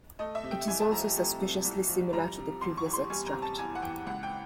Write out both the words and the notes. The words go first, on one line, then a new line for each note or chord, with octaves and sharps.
It is also suspiciously similar to the previous extract.
A3 D#5
E5
C3
G5
C2 G#5
A5
F3 A#5
A3
C3
C2
F3
G3 A#5
C3
E2 C6
C#6
E3
C6
G3 G#5
A#5
C3
A5
E2 G#5
F#5
E3 G5
C#2 F#5
G5